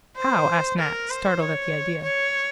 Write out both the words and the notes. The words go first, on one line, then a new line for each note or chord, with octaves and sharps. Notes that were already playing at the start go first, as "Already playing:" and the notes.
"How?" asked Nat, startled at the idea.
C5
A#4
C5
C#5
C#5